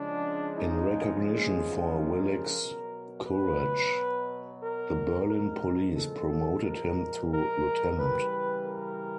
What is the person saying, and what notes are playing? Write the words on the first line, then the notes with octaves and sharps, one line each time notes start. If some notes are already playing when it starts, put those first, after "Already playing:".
In recognition for Willig's courage, the Berlin Police promoted him to Lieutenant.
Already playing: C#3 F3 G#3 D4
D#4
G#4
A#4
B2 F#3
B4
A#4
A#2 F3 G#3 A#4
A4
A#4
A#4
C#3 E3 G3 B4
A#4